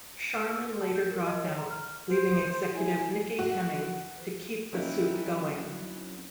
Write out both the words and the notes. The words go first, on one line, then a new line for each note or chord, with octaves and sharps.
Sharman later dropped out, leaving executive Nikki Hemming to keep the suit going.
E7
F6
E6
E6
A5
G6
A#4
D#5
C#5
A#5
F6
C5
E4 G#5
F#4
F#3 A#3 C4 C#4 D#4 E4